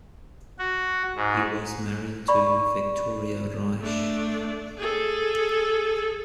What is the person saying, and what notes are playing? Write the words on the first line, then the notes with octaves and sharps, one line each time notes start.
He was married to Victoria Reich.
F#4
G#2
D5 B5 C#6
A3 D4
G#4 A4